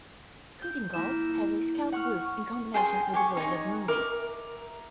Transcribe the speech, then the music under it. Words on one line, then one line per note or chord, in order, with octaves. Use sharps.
Kootingal has a Scout group in combination with the village of Moonbi.
G6
A#3 E4 E7
F#5 C#6 F6
G#4 G5 A5 C6
G4 G#5 C#6
D#4 C#5
A#4 E5 D6